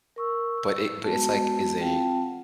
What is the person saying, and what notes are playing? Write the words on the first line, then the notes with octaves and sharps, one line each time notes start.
But it but it's, like, is a
A#4 C#6 E6
E6
G#3 B3 F#4 A5
C4 F4 F5 G5 A5
F#5